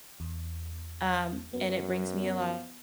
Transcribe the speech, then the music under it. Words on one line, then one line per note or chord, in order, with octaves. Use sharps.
um, and it brings me a lot
E2
F#2 B3